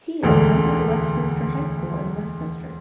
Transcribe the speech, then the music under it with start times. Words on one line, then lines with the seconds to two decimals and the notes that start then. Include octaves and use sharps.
He attended Westminster High School in Westminster.
0.23 E1 D2 D3